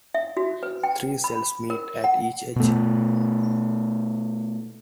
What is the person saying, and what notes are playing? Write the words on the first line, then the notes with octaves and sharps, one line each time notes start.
Three cells meet at each edge.
E5
F#4
B4
G5
B5
A#4
F#5
B2 A3